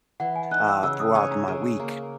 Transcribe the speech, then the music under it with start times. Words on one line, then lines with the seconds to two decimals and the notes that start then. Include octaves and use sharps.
uh, throughout my week.
0.20 E3 F#5
0.36 G#5
0.51 D#4 F#6
0.68 E6
0.83 C#3 E6
1.00 D#6
1.15 C#4 A#5
1.31 A#5
1.48 C#3
1.79 A#3